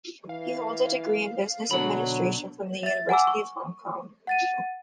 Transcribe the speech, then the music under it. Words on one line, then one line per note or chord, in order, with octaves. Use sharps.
He holds a degree in Business Administration from the University of Hong Kong.
E3 F5
B1 B2 D3 F#3 D4 B5
E5 A6
F#5 G#5 A#5 D6 E6
C#6
F#5 A6 D#7